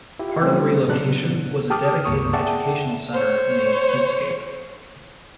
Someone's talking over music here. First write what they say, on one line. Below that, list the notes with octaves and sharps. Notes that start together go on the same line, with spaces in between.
Part of the relocation was a dedicated educational centre, named Kidscape.
E4 F4 G4
C#3 F#3 G3 A3 C4 C#4
A#2 C#3 F#3 B3 D4 F#6
G4 G5 A5 D6 D#6 F6
C#2 G2 A#3 C#6 D#6
G#4 D5 E5 F#5 G5 A5
C5 C#5